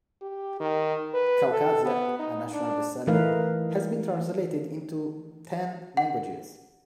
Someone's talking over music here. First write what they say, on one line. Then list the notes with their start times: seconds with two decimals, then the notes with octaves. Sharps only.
"Caucasia", a national bestseller, has been translated into ten languages.
0.22 G4
0.60 D#3
1.14 B4
1.52 A4
1.85 B3
2.19 D#4
2.53 D4
3.07 E3 A3 D#4 A#4 B4 F5
5.97 F#5